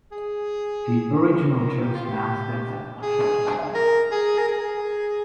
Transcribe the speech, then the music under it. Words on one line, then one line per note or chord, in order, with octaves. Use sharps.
The original church now stands as the church hall.
G#4
A#4
G4
F4
G4
G#4
A#4
G#4
A#4
G#4